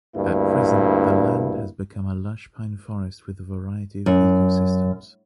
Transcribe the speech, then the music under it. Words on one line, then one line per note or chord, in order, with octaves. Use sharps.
At present, the land has become a lush pine forest with a variety of ecosystems.
D2 G2 A#3 E4
F#2